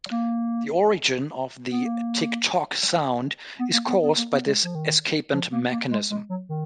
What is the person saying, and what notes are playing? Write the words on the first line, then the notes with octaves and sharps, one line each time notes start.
The origin of the "tick tock" sound is caused by this escapement mechanism.
A#3
B3
A#3
B3
A#3
B3
B3
A#3
B3
G#3
F3
D#3
F3
A#3
A#3
G#3
G#3
F#3
D#3